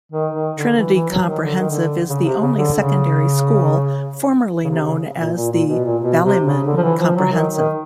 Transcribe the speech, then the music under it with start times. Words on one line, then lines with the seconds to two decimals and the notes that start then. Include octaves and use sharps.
Trinity Comprehensive is the only secondary school formerly known as the Ballymun Comprehensive.
0.12 D#3
0.34 D#3
0.56 D3
0.77 E3
0.94 E3
1.10 F#3
1.26 D#3
1.43 D3
1.56 D#3
1.70 D3
2.09 C#3
2.25 C3
2.41 C#3
2.58 D3
2.74 C#3
4.64 C#3
4.70 C3
4.86 C#3
5.19 A#2
5.36 A#2
5.52 A#2
5.69 B2
5.85 A#2
6.02 B2
6.23 C3
6.46 C#3
6.67 D3
6.77 F3
6.83 E3
7.00 F3
7.16 F#3
7.32 D#3
7.54 D#3